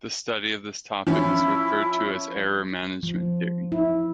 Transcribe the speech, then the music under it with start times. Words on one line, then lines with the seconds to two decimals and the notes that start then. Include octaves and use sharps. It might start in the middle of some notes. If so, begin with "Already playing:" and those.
The study of this topic is referred to as "Error Management Theory".
1.07 F3 C#4 E4
3.03 F3
3.72 E4